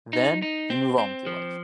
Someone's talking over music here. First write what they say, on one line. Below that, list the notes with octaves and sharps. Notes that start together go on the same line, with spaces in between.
Then, you move on with your life.
D#4
D#4
C4
C4
F3